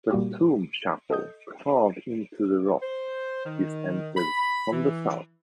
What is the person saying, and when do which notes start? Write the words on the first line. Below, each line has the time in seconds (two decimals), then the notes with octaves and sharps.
The tomb chapel carved into the rock is entered from the south.
0.11 A#2 G3 A#3 F#4 G4
1.10 A4 D#5 D#6 G6
2.82 C5
3.45 D#3
4.16 B5
4.72 E3